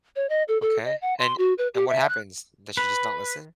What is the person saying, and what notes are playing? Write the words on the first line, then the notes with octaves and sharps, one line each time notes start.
Okay, and and what happens? Does she just not listen?
C#5
D#5
A4
A4
D#5
F#5
C6
F#4
B4
G4
E5
F#6
B4